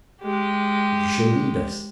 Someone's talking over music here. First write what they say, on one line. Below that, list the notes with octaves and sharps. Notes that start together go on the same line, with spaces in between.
You shall lead us.
G#3 G4